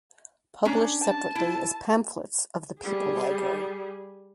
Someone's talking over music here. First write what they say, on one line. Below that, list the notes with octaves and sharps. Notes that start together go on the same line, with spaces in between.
Published separately as pamphlets of the "People library".
C#4 D4 A#5
A5
E4
G3 G#4